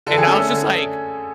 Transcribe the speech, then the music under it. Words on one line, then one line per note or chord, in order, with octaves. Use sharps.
And, I was just like,
D3 A4
G#4
A3 C#4 A4
D3